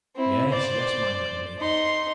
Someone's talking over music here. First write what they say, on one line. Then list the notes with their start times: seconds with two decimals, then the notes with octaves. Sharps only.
Yes--yes, my young lady!
0.16 C4 E4
0.49 C5 D5
1.58 D#4 C6